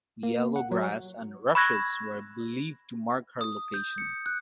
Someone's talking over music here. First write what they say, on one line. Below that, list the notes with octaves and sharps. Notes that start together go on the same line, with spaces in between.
Yellow grass and rushes were believed to mark her location.
A#3
F#5
F#3
B5 C#6 E6 F#6 G#6 A#6
D#6
G6
C#7
F#6